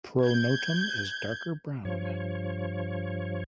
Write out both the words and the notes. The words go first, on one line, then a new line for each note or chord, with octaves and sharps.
Pronotum is darker brown.
G6 G#6
G2 F3 C#5